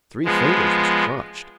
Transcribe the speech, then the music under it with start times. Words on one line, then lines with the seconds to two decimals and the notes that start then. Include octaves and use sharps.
Three fingers was crunched.
0.25 F3 G#3 B3